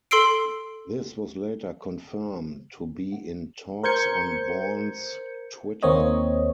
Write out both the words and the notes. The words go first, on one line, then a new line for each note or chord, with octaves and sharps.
This was later confirmed to be in talks on Bourne's Twitter.
A4 C6 E6 C7 D7
A#4 C5 G6 G#6 C#7
D#2 A#3 C4 C#5 D#5